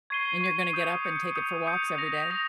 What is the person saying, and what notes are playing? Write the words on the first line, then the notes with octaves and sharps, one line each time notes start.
And you're gonna get up and take it for walks every day?
C#6 G#6 C7 D#7 G7
C#6 G#6 C7 D#7 G7
D#6 G6 C#7
D#6 G6 C#7
D#6 G6 C#7
D#6 G6 C#7
D#6 A#6 F7
D#6 A#6 F7